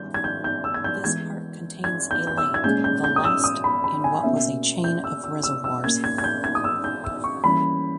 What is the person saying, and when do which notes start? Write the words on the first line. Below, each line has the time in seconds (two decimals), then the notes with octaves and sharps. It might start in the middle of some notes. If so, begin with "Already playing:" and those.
This park contains a lake, the last in what was a chain of reservoirs.
Already playing: D#3 G3 B3 G6
0.14 G#6
0.24 G6
0.44 G6
0.64 E6
0.74 G#6
0.84 G6
1.04 E3 G#3 B3 G#6
1.84 G#6
2.11 G6
2.27 G6
2.37 E6
2.54 G#6
2.64 A#2 G#3 C#4 G6
2.84 G6
3.04 G6
3.16 D#6
3.24 E6
3.44 D#6
3.64 B5
3.84 B5
4.04 G#5
4.23 B2 A#3 C#4 E5
4.84 G6
5.04 E6
5.24 E6
5.43 E6
5.64 E6
5.84 A#2 A#3 C#4 G#6
6.04 G#6
6.18 G#6
6.24 G6
6.44 G#6
6.55 D#6
6.64 E6
6.84 G6
7.04 E6
7.24 C#6
7.44 E3 G3 A#3 C#4 B5